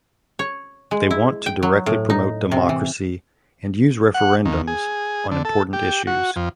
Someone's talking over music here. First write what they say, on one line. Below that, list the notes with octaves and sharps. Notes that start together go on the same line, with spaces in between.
They want to directly promote democracy and use referendums on important issues.
C#5
G#3
E4
G5
F#3
A2
D#4
C3
E3
F#5
D#2
G#4
D3
A4
G4
F#4
F2